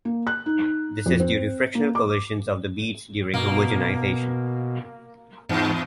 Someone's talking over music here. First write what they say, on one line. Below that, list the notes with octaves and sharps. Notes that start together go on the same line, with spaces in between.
This is due to frictional collisions of the beads during homogenization.
A#3
F#6
D#4
F2
C4
A#3
D6
B2 A#3
E2 G#2